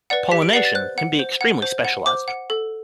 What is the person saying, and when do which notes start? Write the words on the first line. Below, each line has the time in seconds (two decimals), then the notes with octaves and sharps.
Pollination can be extremely specialised.
0.10 B4 D5 F#5
0.31 G4 B6
0.42 D7
0.53 B4 D5 F#5 C7
0.65 A6
0.75 C5 F#6
0.98 F#5
1.19 C5
1.41 F#5
1.62 C5
1.85 F#5
2.06 C5 D6
2.28 F#5
2.50 A4